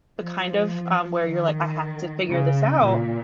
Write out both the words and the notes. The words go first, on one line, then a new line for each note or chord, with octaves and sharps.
but kind of, um, where you're like, "I have to figure this out,
F3
D#3
C#3
A#2